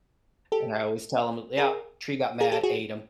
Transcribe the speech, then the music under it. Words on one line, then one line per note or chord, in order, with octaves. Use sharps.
and I always tell him, "Yup, tree got mad, ate 'em"
G4 A4
G#4 A#4
G#4 A#4
G4 A4
F#4 G#4